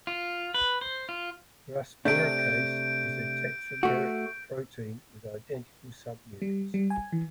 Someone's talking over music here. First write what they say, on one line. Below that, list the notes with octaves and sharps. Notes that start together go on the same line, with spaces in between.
Rasburicase is a tetrameric protein with identical subunits.
F4
B4
C5
F4
C3 A3 D4 G6 D7
A3 F#4
G3
G3
G#5
E3